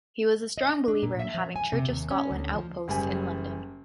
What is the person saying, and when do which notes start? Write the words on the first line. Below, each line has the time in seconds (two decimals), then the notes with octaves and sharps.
He was a strong believer in having Church of Scotland outposts in London.
0.58 D#5
0.88 D4
1.03 A#2
1.19 E5
1.34 F3
1.56 G#5
1.73 C3
1.88 D#2
2.11 C#4
2.31 D2
2.54 F3
2.88 F#1 G3 G4 G#5